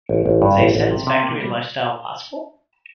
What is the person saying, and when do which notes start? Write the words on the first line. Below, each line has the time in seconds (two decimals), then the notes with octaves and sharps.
Is a satisfactory life-style possible?
0.09 A1
0.26 A1
0.42 G2
0.58 A1
0.75 A1
0.91 C3
1.07 C3
1.23 A#3
1.40 G3